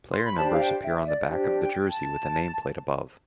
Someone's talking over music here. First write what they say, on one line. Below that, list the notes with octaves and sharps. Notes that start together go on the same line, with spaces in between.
Player numbers appear on the back of the jersey with a nameplate above.
C6
B5
D4 G4 C5 A5
F5
G5
E5
D5
D4 G4 C5
G5
A5